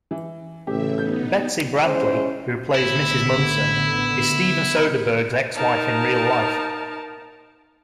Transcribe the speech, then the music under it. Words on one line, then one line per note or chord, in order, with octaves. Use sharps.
Betsy Brantley, who plays Mrs. Munson, is Steven Soderbergh's ex-wife in real-life.
E3
A1 C#3 G4 E5
B3 D#4 G6
G#3 C#4 E4 C5
A1 D3 B3 E4
D#4 A#4 A5